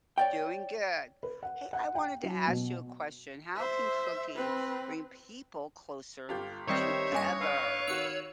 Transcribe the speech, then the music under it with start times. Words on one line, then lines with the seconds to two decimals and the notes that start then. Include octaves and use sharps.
Doing good. Hey, I wanted to ask you a question, how can cooking bring people closer together?
0.18 C#5 D5 G5
1.23 B4
1.43 F#5
1.73 F#5
1.95 G5
2.23 F#3
2.47 B2
3.56 C5 E5
4.35 C4 B4
6.29 G1 F4 G4
6.68 D#3 G3 C4 D#4 C5 C#5 E5
7.12 F#1 G2 D#5 G#5
7.40 B4 F5 E6
7.87 D#3 F#4 E6 F#6 C#7